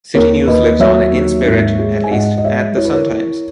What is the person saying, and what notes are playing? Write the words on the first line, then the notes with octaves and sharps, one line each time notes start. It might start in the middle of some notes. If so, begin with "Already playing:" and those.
City News lives on, in spirit, at least, at the "Sun-Times".
D#2 A#4 C#5
D#2 B4 D#5
F#3 C#5 E5
D#2
G#2
G#3
G#5
G#2 D#5 F#5
D#5
G#3 C#5 E5
E4 C#5
B4
A#4 C#5
E4